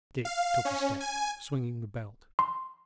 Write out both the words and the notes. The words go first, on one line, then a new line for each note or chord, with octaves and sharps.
Dick took a step, swinging the belt.
F5
C#4
G#5
C6